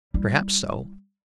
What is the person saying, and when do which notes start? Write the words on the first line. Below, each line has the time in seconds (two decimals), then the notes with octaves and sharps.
Perhaps so.
0.14 G3 E4